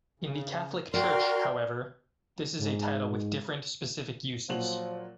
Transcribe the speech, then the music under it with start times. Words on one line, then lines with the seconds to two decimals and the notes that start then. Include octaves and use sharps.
In the Catholic Church, however, this is a title with different specific uses.
0.20 C#3
0.94 F#4 A#4 D5 G5 C6 F6
2.59 G#2
4.49 A#2 F3 F#3 F#7